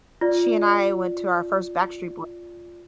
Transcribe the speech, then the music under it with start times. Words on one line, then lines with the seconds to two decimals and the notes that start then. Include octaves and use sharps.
she and I went to our first Backstreet Boy
0.21 F4 D5